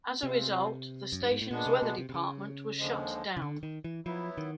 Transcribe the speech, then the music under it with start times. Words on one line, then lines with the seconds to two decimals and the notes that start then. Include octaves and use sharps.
As a result, the station's weather department was shut down.
0.23 C3 G#3 C4 F4
1.12 F#2
1.22 G2
1.31 G#2
1.41 A2
1.50 A#2 G#3 B3 D4
1.66 C3
1.82 B2
1.98 C3
2.09 C3
2.14 C#3
2.79 D#2 D3 F3 G#3
3.37 C#3
3.42 D3
3.63 D#3
3.84 E3
4.06 F3 F#3 B3 E4
4.38 D#3